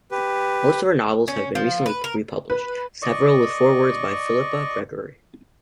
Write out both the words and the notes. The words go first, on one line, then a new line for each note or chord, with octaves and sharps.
Most of her novels have been recently republished, several with forewords by Philippa Gregory.
G4 B4
C#4
F3
B4
A#4
B4
D5 D#5 C#6